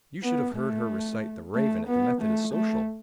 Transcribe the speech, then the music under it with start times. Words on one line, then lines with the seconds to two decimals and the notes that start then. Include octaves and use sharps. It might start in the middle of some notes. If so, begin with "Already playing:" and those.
You should have heard her recite "The Raven," at the Methodist Social!
0.23 B3
0.55 A3
1.55 A3
1.88 B3
2.22 A3
2.54 A3